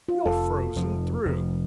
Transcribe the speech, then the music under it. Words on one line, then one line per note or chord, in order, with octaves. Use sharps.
You're frozen through!
F4
F1 F2 C3 A4
F1 F2 F3
F1 F2 F3